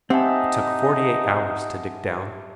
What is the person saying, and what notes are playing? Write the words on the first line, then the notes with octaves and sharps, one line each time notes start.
It took forty-eight hours to dig down.
C4 D#4 G4 E5 F#5 G#5 A5